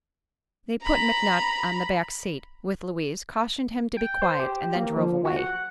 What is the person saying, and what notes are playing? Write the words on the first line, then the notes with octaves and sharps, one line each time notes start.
They put McNutt on the back seat with Louise, cautioned him to be quiet, and then drove away.
A#5 B5
G5
C5
G4
A#3
F3
F#4
F#5